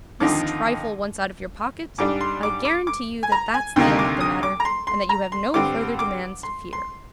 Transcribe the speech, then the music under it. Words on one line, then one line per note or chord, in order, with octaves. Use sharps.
This trifle once out of your pocket, I guarantee you that that's the end of the matter, and that you have no further demands to fear.
D#2 D3 F3 C4 D#4 D6
G#2 G3 D4 D6
C6
D6
D6
D6
G#5
A#5
G#5
D2 C3 D#3 A#3 D#4 G5
D6
D#6
D6
A#5
C6
C6
A#5
C6
G2 D3 G3 C4 D6
D6
C6
C6